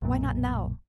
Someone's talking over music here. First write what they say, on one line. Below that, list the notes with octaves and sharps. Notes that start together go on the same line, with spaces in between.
Why not now?
B1 F#2 A#2